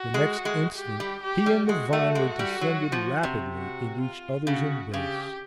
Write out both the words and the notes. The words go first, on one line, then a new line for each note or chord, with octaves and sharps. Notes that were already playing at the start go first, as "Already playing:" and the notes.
The next instant he and the vine were descending rapidly in each other's embrace.
Already playing: F#4
G#3
G#3
G4
G3
G4
G3
G#3 F#4
A3
G#3
G3
F#3
F3
C3
F#4
F4
C#3 F#4
C#3 G4